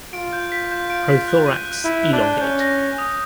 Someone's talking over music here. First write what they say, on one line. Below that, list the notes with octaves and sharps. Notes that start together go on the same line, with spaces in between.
Prothorax elongate.
F4 D7
G6
B6
G6
D7
B6
F#6
D#7
F#6
E4 D#7
F#6
D4
G7
C#4 G6
A#6
A#6
D#6